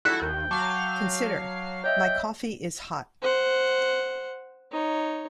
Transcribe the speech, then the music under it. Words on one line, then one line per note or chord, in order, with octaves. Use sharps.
Consider "My coffee is hot".
E4 F#4 A4 F#6
D#2 G5
F#3 F5 A5 C#6 D6 F6
C#5 D#5 E5 G5
C5 F#5
D#4 C#5